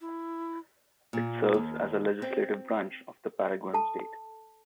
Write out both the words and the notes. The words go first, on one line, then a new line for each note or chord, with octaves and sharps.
It serves as the legislative branch of the Paraguayan state.
E4
A#2
D#2
C4
A4 A5